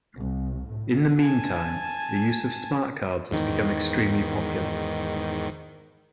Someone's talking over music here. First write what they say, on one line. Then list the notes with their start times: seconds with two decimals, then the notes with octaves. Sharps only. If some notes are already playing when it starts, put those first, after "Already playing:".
In the meantime, the use of smartcards has become extremely popular.
0.16 C2
0.68 A2
1.19 G#5 A5
3.31 E2 G#2 D#3